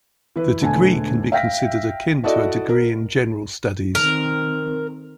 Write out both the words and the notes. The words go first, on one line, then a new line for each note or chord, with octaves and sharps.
The degree can be considered akin to a degree in general studies.
E3 B4
E1 D3 A3 G#5
E5 F5 G5 A#6 B6
E4 F#4 A4 D5 D#5
A#4
D#3 C4 A#4